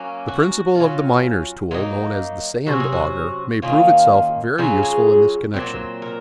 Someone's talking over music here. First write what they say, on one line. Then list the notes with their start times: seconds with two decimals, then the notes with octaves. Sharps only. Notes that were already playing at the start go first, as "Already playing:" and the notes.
The principle of the miner's tool known as the "sand-auger" may prove itself very useful in this connection.
Already playing: F#3 A#3 C#4
0.28 F#4
0.75 F#3 C#4 F4
1.71 F#3 A#3 D#4 F4
2.66 C3 F#3 C#4 F#4
2.80 G#4
2.93 F#4
3.62 D#3 A#3 C#4 F4
4.58 C#3 F#3 C#4 F4 G#4
4.83 G#4
5.54 A#2 F#3 C4
6.02 A#4